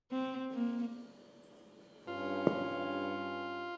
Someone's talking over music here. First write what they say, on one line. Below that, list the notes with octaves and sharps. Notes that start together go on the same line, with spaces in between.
The Red Lodge cemetery contains a memorial.
C4
A#3
G2 C#4 F4